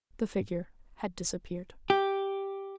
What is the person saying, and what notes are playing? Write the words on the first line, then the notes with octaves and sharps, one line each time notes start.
The figure had disappeared.
G4